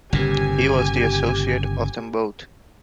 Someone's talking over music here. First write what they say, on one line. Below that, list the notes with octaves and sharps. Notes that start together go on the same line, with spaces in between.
He was the associate of them both.
G1 A#2 C#3 G4 G#5